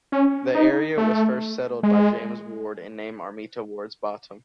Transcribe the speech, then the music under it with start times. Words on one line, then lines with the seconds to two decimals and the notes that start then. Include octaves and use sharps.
The area was first settled by James Ward and named Arminta Ward's Bottom.
0.12 C#4
0.55 D#4
0.97 A3
1.83 G#3